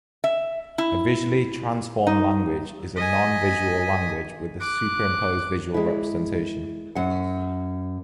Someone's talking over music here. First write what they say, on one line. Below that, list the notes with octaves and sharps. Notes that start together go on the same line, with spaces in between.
A visually transformed language is a non-visual language with a superimposed visual representation.
E5
E4
D#4
D#5 G#5 B6
D6 F#6
G#3 E4
F#2 F#5